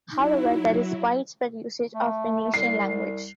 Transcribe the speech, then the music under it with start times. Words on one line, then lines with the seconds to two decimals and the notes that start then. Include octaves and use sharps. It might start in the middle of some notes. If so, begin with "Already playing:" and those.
However, there is widespread usage of Venetian language.
0.12 F#3 D#4 E4
1.94 A3
2.54 C2 C7